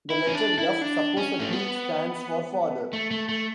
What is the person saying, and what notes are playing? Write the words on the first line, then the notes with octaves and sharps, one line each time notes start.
The letter "F" supposedly stands for "Father".
E4
C#4
D4
E4
D4
C#4
A3
B3
A3
A3
A3